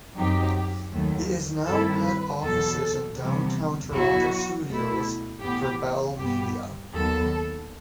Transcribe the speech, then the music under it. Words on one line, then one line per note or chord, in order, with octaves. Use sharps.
It is now head offices and downtown Toronto studios for Bell Media.
F#2 F#3 C4 D#4 G4
D#2 D#3 F#3 A3
G2 D#3 G3 C4 E4 A4
B4
E2 B2 F#3 A4
C3 E3 G3 B3
B2 F#3 B3 E4 F#4
B2 A3 E4
A2 E3 B3 G4
G2 E3 B3 G4
D#2 D#3 F#3 B3 A4